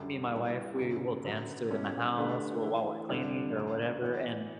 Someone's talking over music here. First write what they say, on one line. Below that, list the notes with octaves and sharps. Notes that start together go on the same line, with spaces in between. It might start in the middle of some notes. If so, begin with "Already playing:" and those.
me and my wife, we will dance to it in the house, we'll while we're cleaning or whatever, and
Already playing: F#2 D3 G3
G3 B3 E4
F#2 C#3 F#3
F#2 D3 F#3 B3
B2 G3 C#4 E4 A4
D3 A3 D4 G4 B4
E3 A3 E4
F#2 D3 G3 D4
F#2 D3 F#3
E3 B3 F#4 C#5